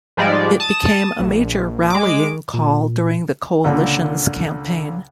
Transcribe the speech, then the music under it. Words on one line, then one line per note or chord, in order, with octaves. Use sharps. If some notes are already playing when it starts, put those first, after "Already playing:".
It became a major rallying call during the coalition's campaign.
G#2 F3 G3 G#3 D5
A5 D#6 E7
A#1
G#3 D6
A#2
C#2 A#2 D3